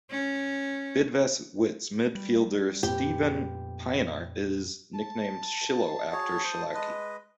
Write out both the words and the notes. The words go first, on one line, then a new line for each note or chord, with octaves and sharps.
Bidvest Wits midfielder Steven Pienaar is nicknamed "Schillo" after Schillaci.
C#4
G3
F2 A#2 B3 G4
A5
F#4 G#4 C#5
C5 D#6
G#3 B4 D#5